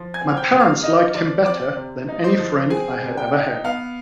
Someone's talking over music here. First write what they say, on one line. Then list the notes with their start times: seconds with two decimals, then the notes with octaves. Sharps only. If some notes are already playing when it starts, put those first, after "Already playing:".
My parents liked him better than any friend I had ever had.
Already playing: F3
0.14 G#5 G#6
0.21 C4
0.29 F6
0.37 G5 G6
0.52 C3
0.60 F5 F6
0.83 D#4 D#5 D#6
1.14 F3 D5 D6
1.45 C4 D5 D6
1.77 C3
2.09 D#4
2.24 C5 C6
2.39 F3
2.70 C4 G#4 G#5
3.02 C3
3.17 G5
3.33 D#4
3.64 B3 F5